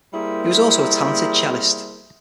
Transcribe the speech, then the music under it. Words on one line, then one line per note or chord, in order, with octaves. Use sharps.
He also was a talented cellist.
G3 A#3 E4 G#4 A#4 C5